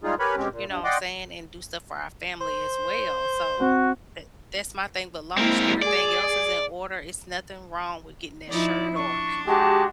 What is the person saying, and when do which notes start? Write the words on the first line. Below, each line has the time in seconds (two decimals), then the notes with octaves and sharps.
You know what I'm saying? And do stuff for our family as well, so that that's my thing. But long as everything else is in order, it's nothing wrong with getting that shirt or
0.04 G3 G#3 D#4 F4 G#4
0.19 G4 A#4 B4 C#5 G#5 B5
0.37 B2 G#3 C4 C#4 G4
0.52 A#2
0.67 G2
0.84 D5 D#5 F#5 G5 C6 D6
2.41 C5
3.60 C4 F#4
5.37 G#3 A#3 C4 E4 A#4
5.82 G#4 D5
8.48 F3 D#4 E4 D5
8.95 D4 C#6
9.47 G#3 F#4 G4 A5